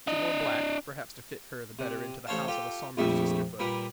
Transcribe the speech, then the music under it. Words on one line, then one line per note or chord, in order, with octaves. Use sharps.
She wore black—perhaps to fit her the better into the house of a somber Sisterhood.
D4 D#5
C3
A1 A4 C5 C#5 F5 A5
F4 G4 A4
A#1 F2 A#2 G3 A3 E5
A#2 G3 A#4 B4